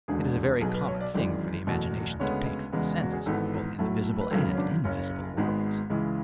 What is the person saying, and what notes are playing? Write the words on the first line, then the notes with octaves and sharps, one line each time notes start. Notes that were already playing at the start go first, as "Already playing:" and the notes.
It is a very common thing for the imagination to paint for the senses, both in the visible and invisible world.
E1 D2 D3 G#3 G#4
B1 B2 F#3 B3 G#4
B4
C#5
D5
G#1 F#2 E3 G#3 D5
F#1 E2 B2 A3
D2 C#3 G#3 B3 C#5
E1 E2 C#3 G#3 B3
F#4
G#4
G#1 G#2 E3 B3 A4
B1 A2 F#3 A3
B4
G#1 F#2 C#3 F#3 B3 A4
C#4
D4
F#1 F#2 C#3 C#4
G#1 G#2 G#3 B3
C#2 C#3 E3 G#3